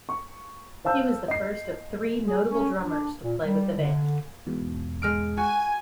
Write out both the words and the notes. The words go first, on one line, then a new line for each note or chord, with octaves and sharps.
He was the first of three notable drummers to play with the band.
C#6
C5 F5 A5 E6 G6
D#5 C7
G#4
C#4
D4
A#2
G3
D3
E2 G#2 B2
G#3 F6 D7
F#4 G#5